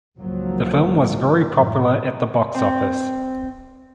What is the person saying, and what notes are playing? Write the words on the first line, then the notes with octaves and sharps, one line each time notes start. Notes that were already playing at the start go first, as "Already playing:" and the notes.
The film was very popular at the box office.
G#1 C#2 D#3 F3 F#3 A#3
A1 F#2 F#3
C4